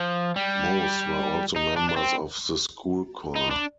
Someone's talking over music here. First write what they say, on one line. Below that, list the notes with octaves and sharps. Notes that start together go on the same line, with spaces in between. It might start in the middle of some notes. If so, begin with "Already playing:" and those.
Most were also members of the school choir.
Already playing: F3
G3
D#4
D4
D4
C4
D#4
D4